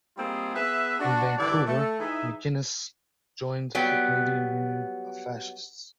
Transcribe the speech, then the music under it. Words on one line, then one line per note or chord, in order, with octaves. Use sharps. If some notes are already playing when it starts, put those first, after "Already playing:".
In Vancouver, MacInnes joined the Canadian Union of Fascists.
G3 A#3 C4 D#4 F4 G#4
B3 G#4 B4 E5
D4 F#4
G2 D3 E3 D4 D5
A3 A4
E3 D#4 G#4 E5
F#3 G3 B3 G5